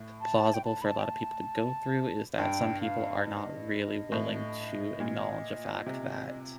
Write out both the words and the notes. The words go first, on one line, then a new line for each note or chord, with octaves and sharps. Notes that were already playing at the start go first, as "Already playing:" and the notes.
plausible for a lotta people to go through, is that some people are not really willing to acknowledge the fact that
Already playing: A2
A5
G5
A5
B5
A5
G5
A5
G2 G5
F5
D#5
A2
A#2
C3